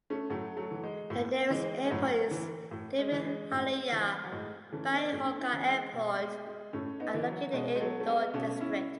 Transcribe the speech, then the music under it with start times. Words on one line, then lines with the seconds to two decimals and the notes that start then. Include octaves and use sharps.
The nearest airport is Devi Ahilya Bai Holkar Airport and located in Indore district.
0.10 A3 C#4
0.30 A2 F#3 A3
0.57 F#3 A3
0.71 E3
0.84 G#3
1.10 A2
1.50 E3 G#3
1.84 G#3
1.91 A2 F#3
2.31 E3
2.71 A2
2.99 G#3
3.12 E3
3.25 G#3
3.52 A2
3.92 E3
4.24 F#3
4.32 A2 G#3
4.72 E3 A3 C#4
4.92 B3 D#4
5.12 A2 A3 C#4
5.39 C#4 E4
5.53 E3
5.66 G#3
5.93 B2
6.20 G#3
6.46 G#3
6.73 A2 A3 C#4
7.00 B3 D#4
7.14 E3
7.27 F#3
7.53 B2 G#3
7.76 G#3
7.80 F#3 A3
8.00 A3
8.07 G#3 B3
8.34 B2 A3 C#4
8.60 C#4 E4